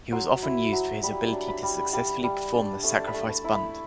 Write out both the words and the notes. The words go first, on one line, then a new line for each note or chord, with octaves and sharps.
He was often used for his ability to successfully perform the sacrifice bunt.
F#3 C6
E4
F#3
G3 B5
D4
B5
G3
G3 G5
G3
D4
A3 A5
A5
B5
A3
A5
E4
B5